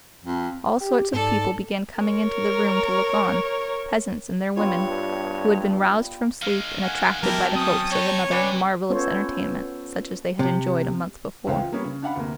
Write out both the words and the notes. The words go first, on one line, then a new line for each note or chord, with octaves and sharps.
All sorts of people began coming into the room to look on, peasants and their women, who had been roused from sleep and attracted by the hopes of another marvelous entertainment such as they had enjoyed a month before.
F2
G4
G#2 A4 D5
A#4 C#5
G2 G3 B3 F4 C#5
D#3 G#3 F5
F5 F#5 G#5
F#3 B3 E4 G4 A#4 G5 A5
C4 C#4 D#6
D#4 B4 C#5
C3 C#4 B4 D5
B3 C#4 F4 A4 C5 C#5
C3
C#2 E3 C5 F5 G5
F4
G3 A#3 B3 C#4
C#3
D4 F5 F#5 B5
D2 C3 A#3